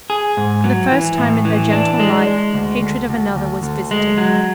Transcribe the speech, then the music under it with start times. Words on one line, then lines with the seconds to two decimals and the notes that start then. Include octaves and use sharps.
For the first time in her gentle life hatred of another was visiting her.
0.10 G#4
0.37 G#2
0.64 F#3
0.91 E3
1.18 A2
1.45 E3
1.72 D4
2.00 G#3
2.27 G#3
2.54 D2
2.82 D2
3.09 D2
3.36 D2
3.63 D2
3.91 G#3
4.18 F#3